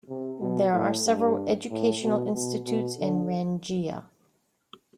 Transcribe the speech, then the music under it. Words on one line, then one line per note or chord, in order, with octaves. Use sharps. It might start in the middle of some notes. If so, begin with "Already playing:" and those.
There are several educational institutes in Rangiya.
C3
B2
A2
G2
A2
B2
B2
B2
D3